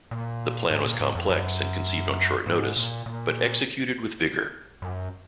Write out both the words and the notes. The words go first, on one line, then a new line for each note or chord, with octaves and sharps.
The plan was complex and conceived on short notice but executed with vigor.
A#2
G#2
A#2
G#2
F2
F#2
G#2
A#2
A#2
F#2